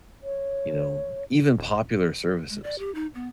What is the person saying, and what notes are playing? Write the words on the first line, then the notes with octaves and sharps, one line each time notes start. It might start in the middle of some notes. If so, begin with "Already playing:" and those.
you know, even popular services.
C#5
D#1
G#3
D5
G4
D#4
B3